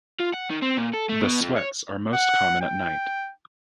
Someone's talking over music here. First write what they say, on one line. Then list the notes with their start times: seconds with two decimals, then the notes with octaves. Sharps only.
The sweats are most common at night.
0.20 F4
0.34 F#5
0.50 D#3
0.62 C4
0.77 A#2
0.94 A4
1.09 A3
1.21 B2
1.41 F2
1.56 C#5
2.14 F#5
2.61 G5